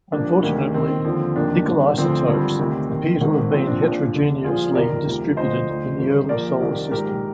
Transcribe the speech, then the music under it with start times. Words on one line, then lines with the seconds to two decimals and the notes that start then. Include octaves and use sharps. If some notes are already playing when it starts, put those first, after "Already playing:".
Unfortunately, nickel isotopes appear to have been heterogeneously distributed in the early solar system.
0.12 C2 A#2 F3 A#3 D4
0.43 D2 C3 D#3
0.74 D#2 D#3 C4
1.05 D#2 D3 F3
1.35 F1 D#2 D#3 A#3 D4
1.67 G1 G2 D#3
1.98 D2 D3 F3 C4
2.28 G#1 G2 D3 F3 C4
2.59 D2 C3 D#3
2.90 D#2 D#3
3.21 G#1 G#2 D#3
3.52 A#1 A#2 F3 C4
3.67 D4 F4
3.82 A#1 A#2 F3
4.13 F1 D#2 D3
4.44 C2 A#2 F3 F4 G#4
4.75 G1 F2 D#3 A#4 D5
5.06 D2 C3 F3
5.37 D2 D3 F3 C5 D#5
5.68 D2 D3 F3
5.98 G#1 G2 D3
6.29 A#1 A#2 F3 A#4 D5
6.60 C2 C3 D#3
6.91 A#1 G#2 D#3 G4 A#4